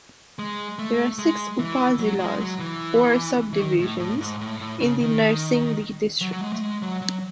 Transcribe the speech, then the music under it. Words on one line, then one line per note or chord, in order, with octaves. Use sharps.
There are six upazilas, or subdivisions, in the Narsingdi district.
G#3
A3
G#3
E3
F#3
G#3
F#3
E3
E3
D#3
A2
A2
G#2
A2
A2
C#3
D#3
F#3
F#3
G#3
A3
G#3
F#3
F#3